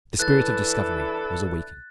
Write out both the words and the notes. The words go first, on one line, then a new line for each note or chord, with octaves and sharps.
The spirit of discovery was awakened.
E3 D4 E4 A4 B4 F#6 A6